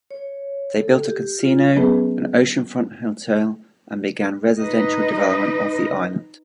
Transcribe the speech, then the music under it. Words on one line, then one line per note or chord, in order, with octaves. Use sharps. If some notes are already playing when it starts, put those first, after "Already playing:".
They built a casino, an oceanfront hotel and began residential development of the island.
C#5
A4
G4
F4
F#3 B3 C#4 G#4 B4
D#4 B4 D#5